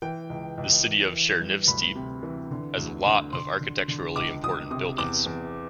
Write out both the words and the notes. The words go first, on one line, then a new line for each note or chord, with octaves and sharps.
The city of Chernivtsi has a lot of architecturally important buildings.
E3 G5
C#2
C#2
E3
E3
G2
D2 B5
C3
E3
D3
D2
D3
D3 C6
D3
D3
C#2 D6
C#2 D#6
C3 D#6
E2 D6
E2